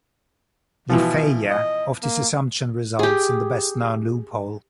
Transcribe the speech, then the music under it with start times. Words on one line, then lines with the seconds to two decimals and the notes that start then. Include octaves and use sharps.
The failure of this assumption results in the best known "loophole".
0.89 B2 E3 F3
1.50 D#5
2.03 A#3
2.99 G4 G#4